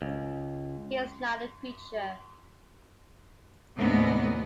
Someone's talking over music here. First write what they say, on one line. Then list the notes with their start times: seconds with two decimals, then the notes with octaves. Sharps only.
He is not a creature.
0.02 C#2
3.78 D#2 A2 C3 G#3 B3 D4